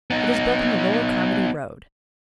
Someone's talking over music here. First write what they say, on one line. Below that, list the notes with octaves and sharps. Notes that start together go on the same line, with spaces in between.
It is built on the lower Carmody road.
B3 D#4